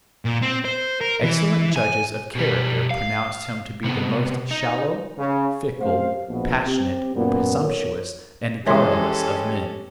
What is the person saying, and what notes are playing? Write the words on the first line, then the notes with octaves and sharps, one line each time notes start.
Excellent judges of character pronounced him to be the most shallow, fickle, passionate, presumptuous, and garrulous of men.
A#2
C4
C5
A#4
E3
G#5
B2 G3
F5
C3 B3
D#4
C#3
F#2 C3 A3 G4 C5 F5
A#1 B2
C4 G4
F#2 A#2 B3
B1 A#4 C#5
E3 G#3 C#4 G4 A4 C#5 E5 C6